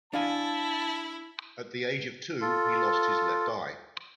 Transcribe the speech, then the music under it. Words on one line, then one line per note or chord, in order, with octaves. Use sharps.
At the age of two, he lost his left eye.
D4 E4 F5 G#5 A5
F4 A4